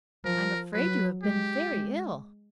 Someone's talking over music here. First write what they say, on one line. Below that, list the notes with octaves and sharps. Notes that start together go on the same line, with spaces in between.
"I am afraid you have been very ill."
F3 A#4
F#3 B4
G#3 G4
G#3